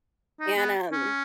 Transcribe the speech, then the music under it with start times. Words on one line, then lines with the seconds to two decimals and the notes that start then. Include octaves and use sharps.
and, um
0.40 D#4
0.58 B3
0.92 C#4